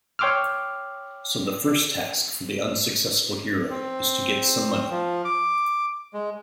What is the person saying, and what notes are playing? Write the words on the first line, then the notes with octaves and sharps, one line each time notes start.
So the first task for the unsuccessful hero is to get some money.
C#5 G5 C6 D6 E6 F6
C4
F3
D6
G#3